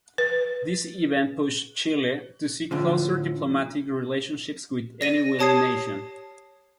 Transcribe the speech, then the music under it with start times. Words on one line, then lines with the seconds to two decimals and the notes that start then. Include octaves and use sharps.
This event pushed Chile to seek closer diplomatic relationships with any willing nation.
0.18 B4
2.71 A2 D3 F3
5.01 D5 A#6 D#7
5.39 G4 C#5 A5 D#6 G#6 C7